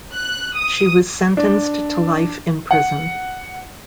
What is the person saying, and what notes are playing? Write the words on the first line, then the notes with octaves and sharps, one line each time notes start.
She was sentenced to life in prison.
F#6
D#6
D4
F#5